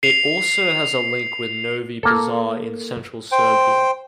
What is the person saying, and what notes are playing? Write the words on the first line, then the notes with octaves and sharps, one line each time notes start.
It also has a link with Novi Pazar in Central Serbia.
C7 F7
A#3 A4
C5 G5